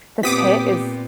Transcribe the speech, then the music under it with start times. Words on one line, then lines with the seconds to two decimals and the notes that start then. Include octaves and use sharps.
The Pitt is
0.23 A#2 B3 C4 G4 D6 D#6 B6